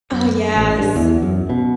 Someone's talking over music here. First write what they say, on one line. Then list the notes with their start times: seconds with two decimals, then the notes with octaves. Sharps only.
Oh, yes.
0.12 F#2
0.56 A1
0.78 G2
0.96 E2
1.22 F#2
1.50 B2